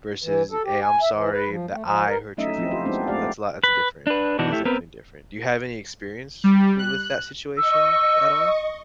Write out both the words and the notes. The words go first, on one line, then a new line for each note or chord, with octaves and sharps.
versus, "Hey, I'm sorry that I hurt your feelings," you know, that's a lot it's a different. That's definitely different. Do you have any experience w with that situation at all?
E3
A4
G4
G#5
E5
E3
B4
F3
A3
F3
A#4
F#3 A3 C#4 D#4 D#5 E5
F3 C4 E4
F4 G4 C5
G#3 B3 C4 D4 D#4
G#3 A3 G4 D5 F5
B4
D4 B4
B2 E3 D4 D#4 F#4
A3 E4 G4
B3 C4 A#4 B4
G3
F#6
D#5 C#6 E6